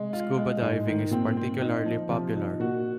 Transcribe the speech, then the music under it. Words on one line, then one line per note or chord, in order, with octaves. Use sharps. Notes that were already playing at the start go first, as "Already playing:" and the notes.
Scuba diving is particularly popular.
Already playing: C3 G#3
F4
G#3
G#2 G#3
D#3
A#2 C4
C4
D#4
F3
C3 F3
D#4
A#2 F#4